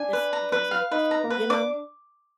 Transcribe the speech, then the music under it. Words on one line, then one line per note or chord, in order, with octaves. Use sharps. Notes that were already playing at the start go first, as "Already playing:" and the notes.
This You guys got this wrong, you know?
Already playing: D4 G#5
B4
A#5
B4
F5
D#4 B4
A#5
A#3
B4
B3
D4 D6